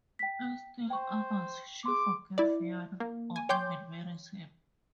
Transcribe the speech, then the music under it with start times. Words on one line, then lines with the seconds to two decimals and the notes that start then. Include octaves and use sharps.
In still others she forgives Fionn, or even marries him.
0.19 G5 B6
0.90 C5 G5 C#6
1.85 G#4 C6 D6
2.38 E4 D5
3.00 A#3
3.36 G#5
3.49 C#5 G5 C6 D6 G6